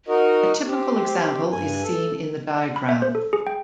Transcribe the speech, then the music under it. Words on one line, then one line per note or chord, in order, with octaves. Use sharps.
A typical example is seen in the diagram.
D#4 F#4 A#4 D#5
C4 G4
G2 G#5
A4
B5
E5
C5
A4
G#4
G5